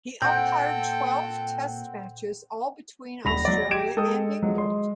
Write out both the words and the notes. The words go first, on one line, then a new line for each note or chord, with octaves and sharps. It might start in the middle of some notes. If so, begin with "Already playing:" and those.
He umpired twelve Test matches, all between Australia and England.
A#2 C4 A4 F#5 G5 G6
D#1 B5 A#6 F7
F#3 D5
G4 G#6 D7 E7
G#3 A4 G5 D#6
F3 F#3 G#3
C6